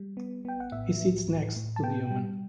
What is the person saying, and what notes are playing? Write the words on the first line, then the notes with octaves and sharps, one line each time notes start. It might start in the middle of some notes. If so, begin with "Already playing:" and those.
He sits next to the woman.
Already playing: G3
B3
B3 G5
F#5
A2 E5
A2
A2
A2
A5
B3 G5
G3